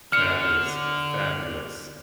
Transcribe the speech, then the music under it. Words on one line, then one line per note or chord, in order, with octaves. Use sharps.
Fabulous, fabulous.
D3 F6 C#7